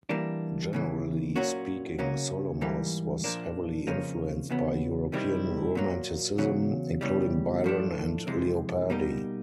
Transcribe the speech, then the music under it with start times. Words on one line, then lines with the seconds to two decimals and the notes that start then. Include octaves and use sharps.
Generally speaking, Solomos was heavily influenced by European romanticism, including Byron and Leopardi.
0.09 E3 G3 A#3 D4
0.73 E2 C#3 E3
1.36 A#2 F#3 A#3 C#4 F#4
1.98 C#3 F#3 A#3 C#4
2.61 G#2 E3 G3 A#3
3.24 A#2 F3 A#3 D4
3.87 F2 C#3 F3 A#3 C#4
4.50 E2 C#3 F#3 B3
5.12 C3 D#3 G3 C4 E4
5.75 A#2 F#3 A#3
6.38 E2 C#3 F#3
7.01 E2 C#3 E3 G3
7.64 A2 F3 A3 D4
8.27 F2 C3 E3 G#3
8.90 B2 G3 A#3 D#4 G4